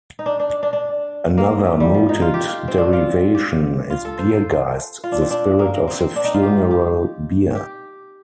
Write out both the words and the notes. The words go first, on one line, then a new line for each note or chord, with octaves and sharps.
Another mooted derivation is "Bier-Geist", the "spirit of the funeral bier".
D#4
D4
D4
D4
D4
A#3
A3
G3
F3
D#4
F4
G4
F4
C4
D4
F4
G4
F4
A4
C5
C5
F4
D4
C4
D4
A#3
A#3
C4
C4
D4
D#4
F4
G4
G4
G4